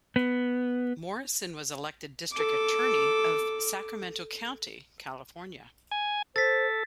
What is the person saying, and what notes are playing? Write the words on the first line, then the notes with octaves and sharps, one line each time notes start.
Morrison was elected district attorney of Sacramento County, California.
B3
A4 D6
G#5
A4 C5 A6 B6